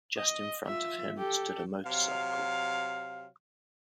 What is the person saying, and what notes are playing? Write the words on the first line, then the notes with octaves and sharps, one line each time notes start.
Just in front of him stood a motorcycle.
D#5
F4 E5
G4 A4
C3 F#3 F5